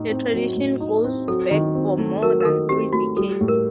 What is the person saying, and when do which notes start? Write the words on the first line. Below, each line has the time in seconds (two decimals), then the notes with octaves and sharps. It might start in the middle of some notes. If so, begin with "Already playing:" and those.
The tradition goes back for more than three decades.
Already playing: A2 D#4
0.09 C4
0.33 F#3
0.57 A2
0.80 D#4
1.04 C4
1.27 F#3 A4
1.51 D#3
1.75 C4
1.98 A3
2.22 F#3 A#4
2.41 A#4
2.45 D#3 A4
2.69 C4 G4
2.93 A3 F#4
3.17 G3 A4
3.41 A2
3.48 A#4